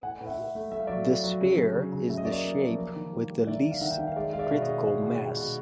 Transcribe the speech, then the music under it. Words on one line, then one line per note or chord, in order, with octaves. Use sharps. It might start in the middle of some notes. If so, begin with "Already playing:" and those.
The sphere is the shape with the least critical mass.
A2 F#5 G#5
A2
E5 F#5
A2
A3
A3 E5
F5
F#3 D5 E5
A2
F#3
C#3
C#3
C#3
C#3
C#3 E5
D#5
A#3 D5
C#5 D#5
A#3
F3
A#3
D#3
G3
G3
D#3 D5 E5
D#3
F5
D#3 E5 F#5
G5
D#3 F#5
F5
G#3 D5 E5
G#3 F5
D5 E5
B2
C#5 D#5
G#3
G#3
B2
B2
B2